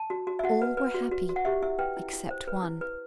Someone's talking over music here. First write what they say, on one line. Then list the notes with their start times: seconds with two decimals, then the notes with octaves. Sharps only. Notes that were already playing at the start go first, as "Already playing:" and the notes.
All were happy except one.
Already playing: A5
0.10 F#4
0.27 F#4
0.39 E5
0.43 F#4 F#5
0.62 B4
0.77 B4
0.94 F#4
1.11 F#4
1.29 F#4
1.36 F#5
1.45 G4 E5
1.62 E4 E5
1.79 B4 G5
1.97 E4
2.13 E4
2.31 C5
2.47 B4
2.63 E4
2.81 B4